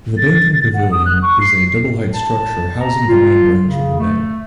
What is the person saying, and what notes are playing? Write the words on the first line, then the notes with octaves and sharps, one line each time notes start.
The banking pavilion is a double-height structure housing the main branch of the bank.
A6
F#5
D#6
F#6
C#6
C7
A5
A#5
F4
C#3
A3